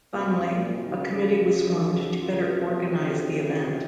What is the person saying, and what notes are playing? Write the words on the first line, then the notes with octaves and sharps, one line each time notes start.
Finally, a committee was formed to better organise the event.
A#2
C3 F#4
F2
F#2
C3
A#2
C3
D#3
C#3
D#3 F#4
C#3
F#4
F4
C#3
C3
A#2
C3
C3
C3
C#3
C3